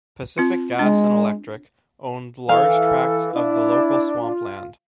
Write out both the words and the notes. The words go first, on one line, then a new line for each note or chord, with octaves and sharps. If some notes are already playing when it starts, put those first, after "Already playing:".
Pacific Gas and Electric owned large tracts of the local swampland.
C4 F4
G#3 D4
E3 A4 F5
D4 E4
F4